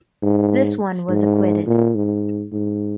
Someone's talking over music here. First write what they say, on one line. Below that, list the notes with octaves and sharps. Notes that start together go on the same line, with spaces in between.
This one was acquitted.
G#2
G#2
A#2
G#2
G#2